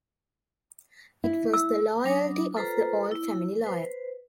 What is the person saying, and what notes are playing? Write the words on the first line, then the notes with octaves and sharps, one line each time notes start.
It was the loyalty of the old family lawyer.
E4
E6
F#3 D4 D6 D#6
F4 A4 B4 C5 A#5
E4
B4 C5